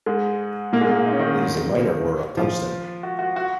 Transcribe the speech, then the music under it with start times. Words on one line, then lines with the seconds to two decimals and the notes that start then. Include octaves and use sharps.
It is a minor ore of tungsten.
0.06 G#2 G#3
0.73 A#2 A#3
0.81 G#2 G#3
0.89 A#2 A#3
1.06 D#4
1.13 C#4
1.19 D#3 D#4
2.37 F3 F4
3.03 F#4
3.19 F#4
3.36 F#4